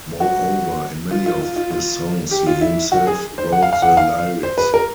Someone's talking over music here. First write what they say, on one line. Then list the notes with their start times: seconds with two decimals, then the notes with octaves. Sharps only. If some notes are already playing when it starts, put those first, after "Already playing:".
Moreover, in many of his songs he himself wrote the lyrics.
0.20 F#4
1.11 F4
1.26 F4
1.41 F4
1.56 F4
1.71 F4
2.31 G4
2.47 F4
2.61 E4
2.92 F#4
3.07 G#4
3.38 C5
3.52 F#5
3.63 F5
3.73 F5
3.82 F#5
3.97 F5
4.43 C5
4.58 B4
4.74 A#4